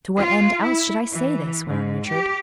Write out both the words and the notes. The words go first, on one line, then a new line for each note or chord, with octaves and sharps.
"To what end, else, should I say this?" went on Richard.
F4
E4
E3
G#2
G4